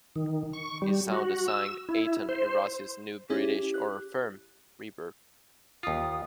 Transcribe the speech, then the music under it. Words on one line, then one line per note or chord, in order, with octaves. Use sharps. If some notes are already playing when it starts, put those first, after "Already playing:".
He sound-designed Aitan Errusi's new British horror film "Reverb".
D#3
C#6
G3
F#4
E6
E4
C5
C#4 E4 G4 G#4
F#6
D#2 F4 D#6